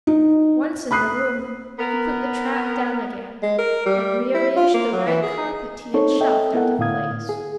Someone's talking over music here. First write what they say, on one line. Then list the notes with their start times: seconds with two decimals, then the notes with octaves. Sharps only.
Once in the room he put the trap down again and rearranged the rag carpet he had shoved out of place.
0.07 D#4
0.91 B5 D#6 F#6 C7
1.79 B3 A#4
3.42 G#3
3.58 A#4
3.86 G3
4.34 E4
4.56 F4
4.74 A#3
4.92 F#3
5.06 E3
5.22 G#4
5.94 C4 D#4 A4 C5 C#5
6.21 A4 D#5 E5 G5
6.54 B3 E4 A4 A#4 F#5
6.79 A2 D3 E4 F5 D#6 G#6
7.29 G#4